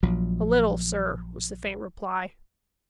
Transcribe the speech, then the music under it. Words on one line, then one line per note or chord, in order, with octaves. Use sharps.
"A little, sir," was the faint reply.
A#1 F3 F#3